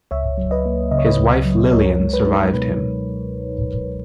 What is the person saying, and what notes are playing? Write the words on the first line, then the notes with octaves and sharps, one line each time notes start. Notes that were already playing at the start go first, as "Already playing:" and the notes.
His wife Lillian survived him.
C#2 C#5 E5
F#3
B4 D#5
A#3
C#3 D#5
C#5
B4 D#5
C#2
F#3
C#2 A#4 C#5
G#3
B4
D#4
B2 B4